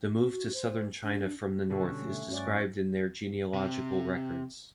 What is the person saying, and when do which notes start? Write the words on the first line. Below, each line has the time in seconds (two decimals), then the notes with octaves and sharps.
The move to southern China from the north is described in their genealogical records.
0.18 F#4
0.54 C5
1.03 D4
1.70 B2 D3 G3 F#4 A4
1.90 C#4
2.02 A3
2.29 G2 C#4 F#4 D5
3.54 C3